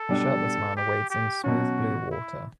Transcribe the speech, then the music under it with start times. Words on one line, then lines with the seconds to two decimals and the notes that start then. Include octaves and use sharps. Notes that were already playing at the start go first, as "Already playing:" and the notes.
A shirtless man wades in smooth blue water.
Already playing: A4
0.09 B2 G3 D4
0.77 G4
1.10 G4
1.44 B2 F#3 C#4 F#4
2.11 E4